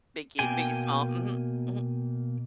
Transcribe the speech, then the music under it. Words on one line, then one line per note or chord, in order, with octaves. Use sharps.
Biggie, Biggie Smalls, mhm, mhm.
B2 A#3 G5 G#5